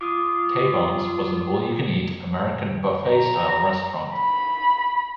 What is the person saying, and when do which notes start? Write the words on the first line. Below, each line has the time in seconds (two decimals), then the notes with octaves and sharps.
Taybarns was an all-you-can-eat American buffet-style restaurant.
0.01 F4 D6 D#6
3.09 A#5
4.15 B5